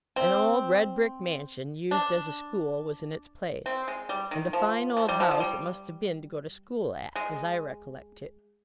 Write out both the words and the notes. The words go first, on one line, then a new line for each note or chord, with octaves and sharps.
An old red-brick mansion, used as a school, was in its place; and a fine old house it must have been to go to school at, as I recollect it.
C4
D4
C4
G#3
G3
D#3
F3
F3
G3
F3
F3
G3
G#3